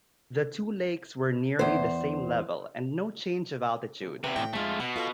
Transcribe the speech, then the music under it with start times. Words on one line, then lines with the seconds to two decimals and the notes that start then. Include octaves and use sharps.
The two lakes were nearly the same level and no change of altitude.
1.59 E2 C5
4.24 E2 C3 B4
4.36 A2 G5
4.53 F2 G#3 A3 F4
4.80 B2 F#5
4.96 F4 A4 F5